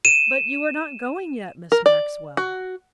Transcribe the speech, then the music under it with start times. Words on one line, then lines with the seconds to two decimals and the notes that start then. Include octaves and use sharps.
But you are not going yet, Miss Maxwell?
0.05 D#7 E7
1.72 A#4
1.86 D5
2.37 F#4